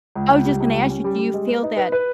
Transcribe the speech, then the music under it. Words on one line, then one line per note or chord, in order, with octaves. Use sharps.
I was just gonna ask you, do you feel that
C#2
C#2
G3
C#2
G3
C#4
G3
G3
G#3
B4
D#4
B4
B4